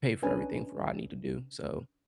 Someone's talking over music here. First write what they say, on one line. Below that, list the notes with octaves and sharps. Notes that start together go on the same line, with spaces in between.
pay for everything for I need to do, so
C#4 D4 B4 G#5